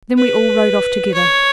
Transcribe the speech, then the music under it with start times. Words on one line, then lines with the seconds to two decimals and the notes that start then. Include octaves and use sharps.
Then we all rode off together.
0.17 B4
1.14 C#5